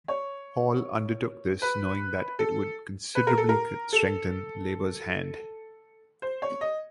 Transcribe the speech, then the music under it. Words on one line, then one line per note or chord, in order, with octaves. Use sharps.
Hall undertook this knowing that it would considerably strengthen Labor's hand.
C#5
B4
A4
B4
A#4
A4
A#4
A4
C5
C#5
D#5